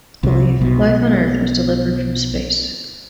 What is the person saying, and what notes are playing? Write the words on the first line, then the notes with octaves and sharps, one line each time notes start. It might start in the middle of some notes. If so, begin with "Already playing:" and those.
Under this belief, life on Earth was delivered from space.
C2 C3
B1 B2